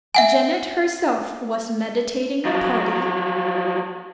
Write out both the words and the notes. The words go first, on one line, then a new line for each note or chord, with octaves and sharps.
Janet herself was meditating a party.
E5 F#5 G#5
F3 F#3